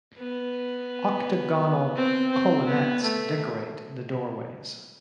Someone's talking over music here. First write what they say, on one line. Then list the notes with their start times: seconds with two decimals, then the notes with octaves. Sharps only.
Octagonal colonettes decorate the doorways.
0.18 B3
1.96 C4
2.32 C4
2.67 B3
3.02 A3